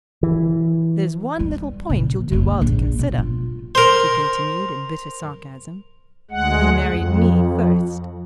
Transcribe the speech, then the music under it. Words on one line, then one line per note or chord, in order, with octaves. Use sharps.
There's one little point you'll do well to consider," she continued, in bitter sarcasm, "he married me first.
E3
E3 G3
A#2 C#3
F#1 D3
A#1
B2
F4
A#4 C5
D2 G#3 F#5
F2